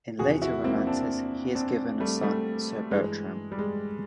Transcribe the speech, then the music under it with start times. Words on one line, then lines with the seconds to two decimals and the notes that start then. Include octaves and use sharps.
In later romances he is given a son, Sir Bertram.
0.19 E2 C3 F3 F#4 G#4
0.42 E4 F#4
0.64 A#3 C4
0.87 C4 D4
1.55 C4 D4
2.00 G3 A3
2.22 G3 A3
2.91 G2 E3 G#3
3.52 G3
3.59 G#3